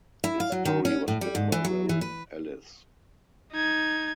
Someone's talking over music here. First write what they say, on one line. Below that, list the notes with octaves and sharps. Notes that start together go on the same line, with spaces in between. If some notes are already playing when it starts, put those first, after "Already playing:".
Its story was written by Warren Ellis.
E4
F5
F#3
D#3
C#4
A2
G3
G#2
E3
F#3
E3
B4
D#4 G#6